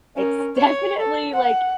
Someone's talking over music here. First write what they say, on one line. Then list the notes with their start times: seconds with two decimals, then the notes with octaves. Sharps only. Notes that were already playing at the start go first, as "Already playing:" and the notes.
it's definitely, like
0.17 C#4 A#4
0.56 C#5
0.99 A4
1.34 F#5